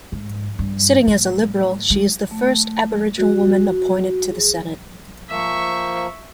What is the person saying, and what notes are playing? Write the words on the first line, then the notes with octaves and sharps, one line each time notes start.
Sitting as a Liberal, she is the first Aboriginal woman appointed to the Senate.
G#2
G2
A2
G#3
A3
F#4
G#4
F3 A#3 E5 C#6